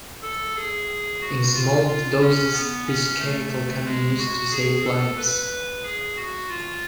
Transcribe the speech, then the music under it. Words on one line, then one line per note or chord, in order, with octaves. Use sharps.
In small doses this chemical can be used to save lives.
A4
G#4
F#4
F4
F4
C#4
B3
C#4
A3
G#3
F#4
G#4
A4
B4
G#4
F#4
F4